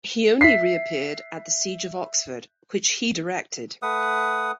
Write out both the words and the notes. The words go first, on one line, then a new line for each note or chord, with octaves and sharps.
He only reappeared at the siege of Oxford, which he directed.
E5 B6 C7
A3 B4 F#5 D#6